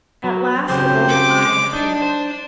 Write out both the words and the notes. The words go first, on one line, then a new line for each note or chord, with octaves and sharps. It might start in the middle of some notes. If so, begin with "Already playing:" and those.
At last the golden Eye appeared.
F#3
C#3 F#3 C4 G4 C5 C6
D6
D4 D#4 A5
C5